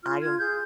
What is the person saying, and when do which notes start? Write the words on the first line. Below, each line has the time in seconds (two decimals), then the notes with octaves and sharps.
I don't
0.03 F4 F6
0.21 F4 G#6
0.39 G#4 G6